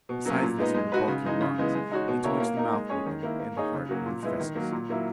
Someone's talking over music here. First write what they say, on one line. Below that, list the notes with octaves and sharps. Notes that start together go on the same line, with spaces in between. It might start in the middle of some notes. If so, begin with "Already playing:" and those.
Besides this were the bulky lungs, into which the mouth opened, and the heart and its vessels.
B2
F#3 A#3 C#4
A#2
G#3 B3 D#4
G#3
D#4 F#4 B4
C#3
E3 G#3 D#4
C#3
E3 G#3 B3
G#3
D#4 F#4 C#5
B2
A#3 E4 A#4 C#5
A#3
D#4 A#4
G#3
C#4 G#4 C#5
D#3
A#3 E4
A#3
D#4 G#4 C#5
C#3
F#3 A#3 C#4 F#4
A#2
G#3 B3 E4
D#3
F#3 A#3
A#2
F#3 A#3 E4